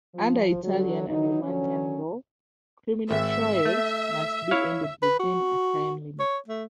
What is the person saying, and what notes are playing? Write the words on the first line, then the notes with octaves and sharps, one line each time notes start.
Under Italian and Romanian law, criminal trials must be ended within a time limit.
F3
D3 F#3
E3 F#3 D#4
D3 F#3 C#4
G#1 E5
A3
E4 C#5 F5
B4
F#4
C#5
A3